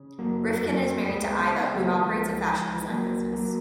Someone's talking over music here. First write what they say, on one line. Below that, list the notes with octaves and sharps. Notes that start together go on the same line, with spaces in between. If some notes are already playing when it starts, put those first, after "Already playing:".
Rifkin is married to Iva, who operates a fashion design business.
Already playing: C#3
F#1 F#3 A#3
F2
F#3 A#3
F#1
C#2 G#3 B3
G#3 B3
C#3
G#3 B3
C#2
F#3 A#3
C#2 F3 G#3
C#2
C#2
C#2 F#3 A#3
C#2
F#3 A#3